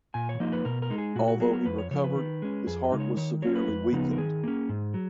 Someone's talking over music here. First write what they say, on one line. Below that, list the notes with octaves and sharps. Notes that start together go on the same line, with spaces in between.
Although he recovered his heart was severely weakened.
A#2 G#5
C#5
F3 A#3 D#4 D#5
B4
B2 A#4
A#4
G#3 D#4
G#4
A#2 F#4
F#4
F#3 B3 G#4
A#4
F2 B4
C#5
C#3 F3 C#5
B4
D#3
G#3 C#4
F2 G#4
D#5
C#3 G#3 D#4
C#5
D#3 C#5
F#3 A#3 C#4 C#5
B4
F2
C#3 F3 B3 D#4
A#4
D#3 G#4
A#3 C#4
G#2
F#3